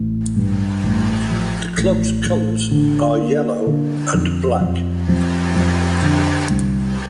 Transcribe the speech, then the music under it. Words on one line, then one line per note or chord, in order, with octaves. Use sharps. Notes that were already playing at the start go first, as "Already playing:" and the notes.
The club's colours are yellow and black.
Already playing: A1
G2
A1
F3
A1
A1
D3
A#3
D3
F2
F2
F2
F2
D3
C2